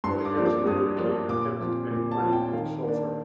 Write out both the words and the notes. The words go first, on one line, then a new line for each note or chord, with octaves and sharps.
Forty years later came attempts to make money from sulphur.
G2 C6
D6
F3 A#3 D4 F4
D6
G2 D#6
F3 A#3 D4 F4
A#2 D6
F3 C4 F4
A#2
A5
F3 C4 F4
G5
D#3 F5
A#3 D4